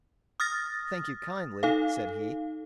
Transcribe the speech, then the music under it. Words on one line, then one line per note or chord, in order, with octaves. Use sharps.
'Thank you kindly', said he.
D#6 F6 A6 A#6
D#4 A4 F5